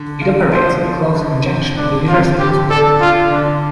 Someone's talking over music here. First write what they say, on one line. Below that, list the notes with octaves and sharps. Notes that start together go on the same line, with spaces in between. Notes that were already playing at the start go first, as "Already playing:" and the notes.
It operates in close conjunction with the university hospital.
Already playing: D3
F4
F3 C5
F3
D3
C4
D3 D4
C4 F4
D3 G4
D4 A4
D3 F4
D3 D4